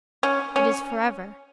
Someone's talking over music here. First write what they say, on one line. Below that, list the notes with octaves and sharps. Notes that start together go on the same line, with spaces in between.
It is for ever.
C#4
C#4